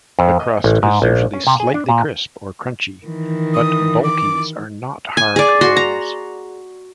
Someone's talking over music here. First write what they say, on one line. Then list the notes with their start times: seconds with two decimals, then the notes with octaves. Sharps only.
The crust is usually "slightly" crisp or crunchy, but bulkies are not hard rolls.
0.19 F2
0.40 D#5
0.64 A1
0.83 G#2
1.02 A#1
1.34 C#4
1.47 C3
1.60 G#4
1.74 D4
1.89 A#2
3.07 D#3 E3
3.54 D#6
4.03 D6
5.17 G#5
5.36 G#4 D5
5.61 F#4 C6
5.77 A#5